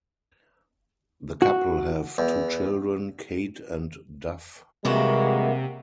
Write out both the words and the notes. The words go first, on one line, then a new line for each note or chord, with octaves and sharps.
The couple have two children, Kate and Duff.
F#4
E2
C3 D#3 E3 G3 G#3 A#3 F#4